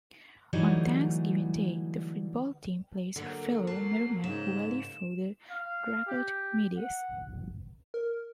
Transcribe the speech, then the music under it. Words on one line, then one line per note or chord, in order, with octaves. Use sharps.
On Thanksgiving Day, the football team plays fellow Merrimack Valley foe the Dracut Middies.
D3 E3 F#3 G3 A3 D#4
D3 F#3 A#3
A5 C7
G#2 C#3 E7
F5
G4
F#5
A#4